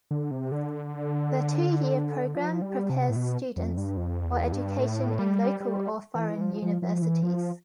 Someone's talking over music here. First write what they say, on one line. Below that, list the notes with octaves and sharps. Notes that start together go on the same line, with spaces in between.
The two-year programme prepares students for education in local or foreign universities.
D3
C3
D3
F3
G3
C3
A2
B2
F2
G2
F2
E2
G2
A2
G3
G3
E3
F3
F3
F3
E3
F3